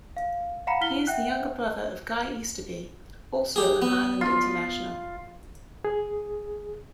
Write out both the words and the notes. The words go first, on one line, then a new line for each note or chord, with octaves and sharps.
He is the younger brother of Guy Easterby, also an Ireland international.
F5
F5 F#5 A#5 B5 C#7
E4 F6 B6 G7
E5 F#5 G5 F#6
G4 G#4
B3
F4
G#4